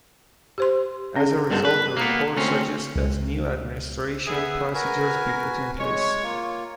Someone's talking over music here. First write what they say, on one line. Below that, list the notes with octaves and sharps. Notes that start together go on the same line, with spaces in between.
As a result, the report suggests that new administration procedures be put in place.
G4 C5 C6
C#4 G#4
G2 B2 D3 G#4 A#4
G#4 B4
A#3 B3
D2 C4 C#4
C#2
B3 G#4 E5
F#4 A#4 B4 G#5
G#3 C#5
A#3 F4